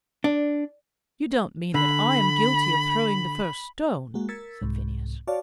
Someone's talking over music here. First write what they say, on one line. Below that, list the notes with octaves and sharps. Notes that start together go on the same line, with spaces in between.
"You don't mean that I am guilty of throwing the first stone?" said Phineas.
D4
D3 B5
G#3 A#3 F#4
A#4 E6 G#6 A6 B6 C#7
C2 G#2
F#4 C#5 D5 F5 A5